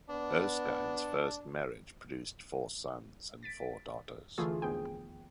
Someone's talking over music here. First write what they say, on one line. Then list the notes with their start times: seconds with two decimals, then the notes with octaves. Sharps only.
Erskine's first marriage produced four sons and four daughters.
0.10 B3 D4
3.43 A6 B6 D7
4.38 D3 E3 A3 F4 G#4
4.62 A#1 D#2 B3 G#4 G5